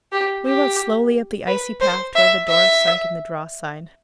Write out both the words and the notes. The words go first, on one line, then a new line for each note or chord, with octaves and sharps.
We went slowly up the icy path toward the door sunk in the drawside.
G4
G4
B4
C5
E5
E5